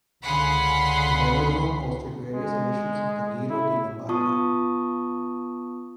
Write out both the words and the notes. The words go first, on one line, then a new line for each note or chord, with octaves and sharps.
The velodrome hosted various editions of the Giro di Lombardia.
C#2 D3 G#4 F5 F#5 B5 C6
G#3
E4
B3 F4 A5 C#6 D#6